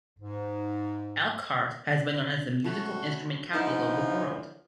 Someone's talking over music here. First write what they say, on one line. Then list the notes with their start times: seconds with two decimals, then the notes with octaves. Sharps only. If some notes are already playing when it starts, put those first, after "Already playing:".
Elkhart has been known as "The Musical Instrument Capital of the World".
0.21 G#2
2.64 B2 A3 C#4 F#4
3.53 D3 E3 F3 B3 D#4 E4